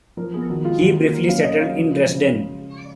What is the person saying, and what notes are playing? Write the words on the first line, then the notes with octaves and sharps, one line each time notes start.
He briefly settled in Dresden.
F3 A#4
B3 G#4
D#3 F#4
G#3 F4
D#3 F#4
A#3
F#3 A#4
C#4 F5
C#3 D#5
F#3 F5
F3
G#3
C#3
G#3